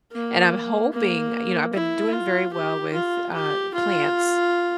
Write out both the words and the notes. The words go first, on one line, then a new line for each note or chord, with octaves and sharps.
and I'm hoping you know, I've been doing very well with, uh, plants,
A#3
A#3
E4
F4
G4
F4
G4
F4